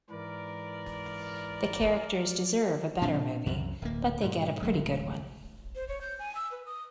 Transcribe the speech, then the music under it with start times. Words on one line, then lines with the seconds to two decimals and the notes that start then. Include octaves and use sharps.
The characters deserve a better movie, but they get a pretty good one.
0.10 G#2 E3 A#4 B4 D5
3.02 A#2 C4 D4
3.46 C2 F#2 E3
3.82 D1 A#3
4.21 G#2 B2
4.63 D1 A1 F#3 G#3
5.75 C5
5.88 C#5
6.01 G6
6.19 G#5
6.35 E6
6.52 B4
6.66 D#6